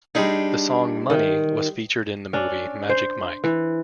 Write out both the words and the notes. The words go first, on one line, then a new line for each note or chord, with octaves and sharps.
The song "Money" was featured in the movie Magic Mike.
G3 G#3 D4 D#4
D#3
C#4 D4
C5
E3